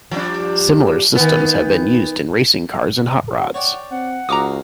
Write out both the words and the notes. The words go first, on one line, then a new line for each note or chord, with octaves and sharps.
Similar systems have been used in racing cars and hot rods.
F3 G3 D4
D#3 B3
C#5 D5 F#5 G5
C4 F#5
C#2 F#4 F5 A#5 D6 D#6